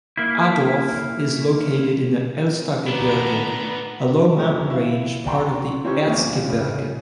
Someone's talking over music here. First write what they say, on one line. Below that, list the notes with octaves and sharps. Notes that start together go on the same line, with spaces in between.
Adorf is located in the Elstergebirge, a low mountain range, part of the Erzgebirge.
A#3 E4
A#2 D#3 A3 B3 D4 B4 A#5
F1 G#2 D3 F#3 C#5 G5
E4 F5
D5 F#5 G5 A#5 C6 C#6
C4 C#4 D#4 G4 C#6 G#6
D2 A#2 F3 G#3 C#4
C#3